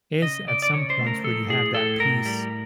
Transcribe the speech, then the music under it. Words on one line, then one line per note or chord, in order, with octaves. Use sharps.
is at some points where you have that peace,
C#3 D#5
C#3 D5
D5
C#3 C#5
C5
A3
A#4
F3 A4
A2 G#4
A2 A4
A2 A#4
G3